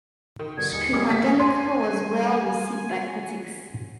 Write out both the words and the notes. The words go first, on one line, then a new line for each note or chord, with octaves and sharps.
"Screamadelica" was well received by critics.
D#3
G2 B2 D3 G#6
D#2 G#4 D#5 C#7
G3 G#3 C#4 D6 D#6 G#6
C#3 A#3 G4 F#5 A5 B6
G#5 C6